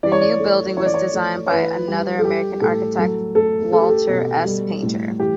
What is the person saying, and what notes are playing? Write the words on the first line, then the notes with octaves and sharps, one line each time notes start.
The new building was designed by another American architect, Walter S. Painter.
E3 D5
C#5
D5
A3
E3 C#5
D5
C#5
A3
C#5
E3 B4
G3 G4
A4
G3 G4
A2 A4
F#3 A4
A3 A4
A3 A4
G4
A4
B2
G3
A2
E3 G4